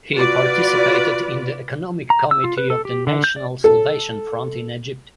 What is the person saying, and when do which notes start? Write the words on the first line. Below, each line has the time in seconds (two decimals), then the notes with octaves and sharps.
He Participated in the economic committee of the National Salvation Front in Egypt.
0.14 F4 F#4 B4 D5
2.10 A#5
2.31 E6
2.44 F4
2.58 B4
2.70 A4
2.85 G4
3.07 D3
3.24 G6
3.36 D5
3.64 A4